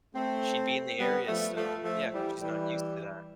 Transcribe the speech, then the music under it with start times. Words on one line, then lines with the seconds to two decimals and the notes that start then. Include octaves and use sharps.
She'd be in the area still, yeah. She's not used to that.
0.14 A3 C4
0.99 G3 B3
1.27 F3 A3
1.56 F3 A3
1.84 F3 A3
2.13 E3 G3
2.40 E3 G3